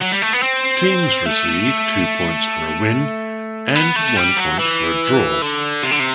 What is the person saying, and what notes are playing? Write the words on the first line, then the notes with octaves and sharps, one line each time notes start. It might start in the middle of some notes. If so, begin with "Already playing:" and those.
Teams received two points for a win and one point for a draw.
F#3
G3
A3
B3
C4
A3
B3
A3
G3
F#3
E3
D3
C3
D3
C3